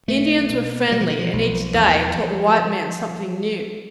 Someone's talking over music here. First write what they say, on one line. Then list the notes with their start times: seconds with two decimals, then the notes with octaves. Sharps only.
The Indians were friendly and each day taught the white men something new.
0.08 B1 A3
0.50 B2
0.91 B2 G3
1.01 F3
1.10 E3
1.19 F3
1.33 B1
1.74 E2